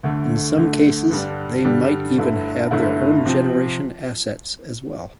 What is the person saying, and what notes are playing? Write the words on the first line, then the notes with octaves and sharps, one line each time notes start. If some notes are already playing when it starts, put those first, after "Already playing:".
In some cases they might even have their own generation assets as well.
D2 D3 A3
D2 D3 A3
G2 D3 G3 D4
G2 D3 G3 D4
G1 G2 D3 A3 E4
G1 G2 D3 A3 E4
C3 F3 C4